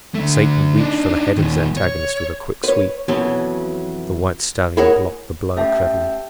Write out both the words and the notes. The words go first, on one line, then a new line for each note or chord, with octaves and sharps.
Satan reached for the head of his antagonist with a quick sweep. The white stallion blocked the blow cleverly.
D3 A3
D4 D#4
A#2 D#3
C#5
B4 C#5
F2 B2 E3 F#3 B3 C#4
E4 G#4 A#4 C#5 F#5
A3 C#4 G4 E5 G5 A5